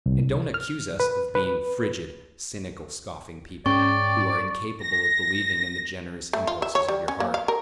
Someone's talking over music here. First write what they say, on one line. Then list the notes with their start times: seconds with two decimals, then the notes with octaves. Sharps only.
And don't accuse us of being 'frigid, cynical, scoffing people,' who are incapable of believing in the generous impulses of your heart....
0.06 C2
0.54 F6
1.00 B4
1.35 B4
3.66 G#2 C#4 D5 G5 C#6
4.81 A#6
6.33 A3
6.47 F4
6.62 E5
6.75 C#5
6.88 G3
7.08 C#4
7.20 A#3
7.34 F5
7.48 A#4